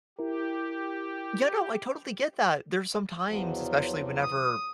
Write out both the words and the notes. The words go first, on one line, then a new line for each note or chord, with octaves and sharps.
Yeah, no. I totally get that. There's some times, especially whenever
E4 G4 A#4
E2 F3 F#3
D#6